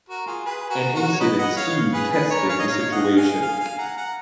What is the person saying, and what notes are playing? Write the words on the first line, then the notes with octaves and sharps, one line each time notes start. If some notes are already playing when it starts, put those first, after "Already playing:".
An incident soon tested the situation.
F#4 A#4
F4 G#4
G#4 B4
F#4 A#4
F#4 A#4
C#5
B4 D#5
D#5 F#5
C#5 F5
G#4 B4
G#4 B4
A#4 C#5
C#5 F5
D#5
C#5 F5
D#5 F#5
F5 G#5
F5 G#5
F5 G#5
F#5 A#5
F#5 A#5